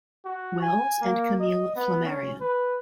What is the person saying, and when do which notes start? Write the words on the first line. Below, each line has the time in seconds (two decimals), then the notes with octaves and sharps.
Wells and Camille Flammarion.
0.25 F#4
0.62 G#5
1.01 A#3
1.40 D#5
1.76 B3
2.05 C#4
2.41 B4